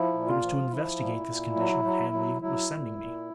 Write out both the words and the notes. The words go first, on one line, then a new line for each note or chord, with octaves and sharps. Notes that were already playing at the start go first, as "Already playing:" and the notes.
It was to investigate this condition that Hanley was sending me.
Already playing: F3 E4
A#2
F4
F3
F3 E4
A#2
A#2
F#3
F#3
F#3
F#3 E4
A#2
A#2